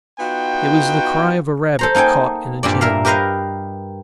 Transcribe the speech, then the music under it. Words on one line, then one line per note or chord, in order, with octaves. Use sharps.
It was the cry of a rabbit caught in a gin.
B3 D#4 F4 F#4 G5
A4 C5 A#5
A#3 D#4 A4 G5 G#5
G2 A#2 D5
A#4 E5 F5
G4 A#4 B4 D#5 F5 A#5